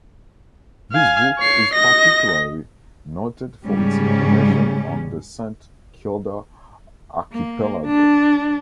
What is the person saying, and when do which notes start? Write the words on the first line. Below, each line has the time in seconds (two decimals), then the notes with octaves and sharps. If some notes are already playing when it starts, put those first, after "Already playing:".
This book is particularly noted for its information on the Saint Kilda archipelago.
0.92 F5 G#5
1.38 C#5 C7
1.74 D#5 A#6
3.64 G#2 C#3 G3 C#4
7.33 A#3
7.86 D4